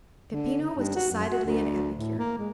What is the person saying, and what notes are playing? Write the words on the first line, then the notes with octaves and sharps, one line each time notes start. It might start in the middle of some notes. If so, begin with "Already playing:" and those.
Peppino was decidedly an epicure.
D3
D#4
G2
F#4
F#2
F#4
D2
A2
A#3
G#3